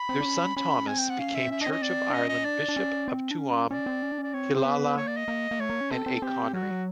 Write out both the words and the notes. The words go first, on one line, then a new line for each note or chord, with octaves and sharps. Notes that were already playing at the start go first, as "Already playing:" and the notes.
Their son Thomas became Church of Ireland Bishop of Tuam, Killala and Achonry.
Already playing: B5
C4
D4
C#4
C#4 B5
C4 G#5
G5
F#5
C#4 F5
E5
C4
C#4 E5
D4 D#5
C4
C#4 D#5
C4 D5
D4
C#4 D#5
D#5
D4 D5
D4
C#4
C4
D4
C#4
C#4 D5
C4
C#4
D4
C#4
D5
C4 C#5
C5
B3 B4
A#3 C#5
D5
D#5
A#3
A#3
A3 C#5
A#3
C#4
C4 A4
C4
C4 G4
F#3 F#4
G3
F#3